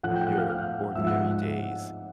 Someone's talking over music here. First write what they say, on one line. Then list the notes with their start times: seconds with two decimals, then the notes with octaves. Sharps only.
your ordinary days
0.03 A2 F3 A3 F#5 F#6
0.15 G5 G6
0.27 F#5 F#6
0.38 F5 F6
0.50 F5 F6
0.95 G#2 F3 G#3 E5 E6
1.07 F#5 F#6